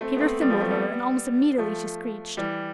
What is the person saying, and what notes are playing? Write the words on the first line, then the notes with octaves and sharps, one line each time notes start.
Peter thimbled her, and almost immediately she screeched.
A3 C4
B3
A3 C4
G3 B3
F3 A3
A3 C4
G3 B3
F3 A3
E3 G3